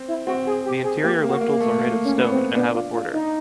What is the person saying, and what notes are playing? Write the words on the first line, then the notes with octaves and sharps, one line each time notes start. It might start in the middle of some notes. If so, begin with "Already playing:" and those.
The interior lintels are made of stone, and have a border.
Already playing: C4
E4
C4 F#4
G#4
G4
G#4
A#3 G4
A#3
F#4
A#3
A#3
A3
A#3
C#4
B3
C4
B3 D4
F4
F4
D#4